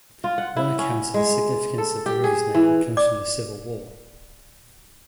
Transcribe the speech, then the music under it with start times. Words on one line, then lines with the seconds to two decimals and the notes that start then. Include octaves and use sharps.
One account of the significance of the river's name comes from the Civil War.
0.24 F4
0.38 F#5
0.57 E4
0.79 C#4
1.14 G#3
1.78 A4
2.06 G4
2.24 G#4
2.55 E3
2.97 D5 D6